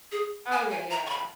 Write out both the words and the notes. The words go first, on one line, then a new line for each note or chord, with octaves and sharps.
Oh, yeah, yeah, yeah, yeah.
G#4
G#5
G#5
A#5
C#6
B5